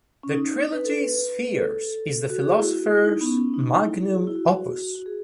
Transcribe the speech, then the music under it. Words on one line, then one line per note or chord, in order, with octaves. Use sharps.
The trilogy "Spheres" is the philosopher's magnum opus.
C#4
D#4
B4
A4
B4
A4
F#4
G#4
E4
F#4
E4
E4
D#4
B3
C#4
D#4
D#4
E4
G#4
F#4
E4
F#4
F#4
G#4